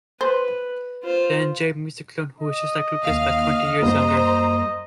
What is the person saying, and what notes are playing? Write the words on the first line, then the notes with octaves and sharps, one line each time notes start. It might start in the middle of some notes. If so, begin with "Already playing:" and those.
Then Jade meets the clone, who is just like Lucas, but twenty years younger.
B4 C5
F4 C5
D#5
D#2 F5 F6
F#2 G3 A#3 C5 A#5